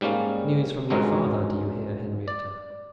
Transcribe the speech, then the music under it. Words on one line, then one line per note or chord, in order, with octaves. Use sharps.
News from your father, do you hear, Henrietta?
G#2 G3 A#3 C#4 F5
G#1 C#2 G2 F#3 G#3 A#4
D5